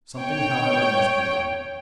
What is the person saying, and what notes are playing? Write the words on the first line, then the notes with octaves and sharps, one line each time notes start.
Something, however, must be done.
C#5 G5